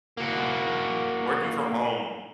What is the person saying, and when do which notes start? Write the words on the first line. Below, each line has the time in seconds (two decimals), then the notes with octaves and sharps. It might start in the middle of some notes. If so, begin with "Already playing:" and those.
working from home
0.17 A#3 F#4